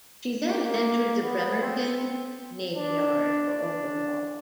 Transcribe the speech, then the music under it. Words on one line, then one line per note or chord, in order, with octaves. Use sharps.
She then entered the Bremerton Navy Yard for overhaul.
A#3
B3
C4
D4
D4